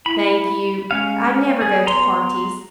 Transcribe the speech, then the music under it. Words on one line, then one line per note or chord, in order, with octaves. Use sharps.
'Thank you, I never go to parties.'
E4 B5
G#3 C#4 F5
B3 G#4
A#5 C6